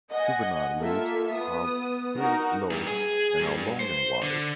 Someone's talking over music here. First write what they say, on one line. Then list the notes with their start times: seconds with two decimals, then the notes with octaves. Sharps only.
Juvenile leaves have three lobes and are long and wide.
0.11 D#5 F#5 G#5
0.78 A#3 F4 A4 E5
1.32 B3 D#6
2.18 D#4 F#4 A#4
2.71 G2
2.87 G#4
3.41 G2
3.80 C5
4.23 D3